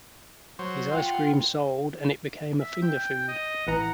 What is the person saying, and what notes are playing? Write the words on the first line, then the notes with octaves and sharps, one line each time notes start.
His ice cream sold and it became a finger food.
F#3 C5
F4 F#5 G5
E5
G5
D#5
A1 E3 F#5 A#5